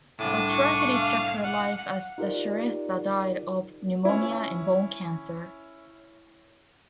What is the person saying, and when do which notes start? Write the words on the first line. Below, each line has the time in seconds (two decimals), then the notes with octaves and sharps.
But tragedy struck her life as the Shrestha died of pneumonia and bone cancer.
0.19 C2 A2 D4 G#5 D6
0.49 C#6
0.93 F5
1.43 F#5
2.18 D#4 F4 G4 A#4 C5 D5
4.05 C#4 E4